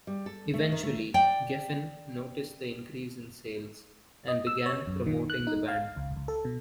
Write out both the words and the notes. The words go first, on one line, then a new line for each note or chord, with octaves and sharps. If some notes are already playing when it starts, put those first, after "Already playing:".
Eventually, Geffen noticed the increase in sales, and began promoting the band.
G3
A4
A3
D#3
A3
D5 G5
D#5
E6
C#5
F#2
D#3
F#6
D#4
F5
C#2
C#2
A4
B2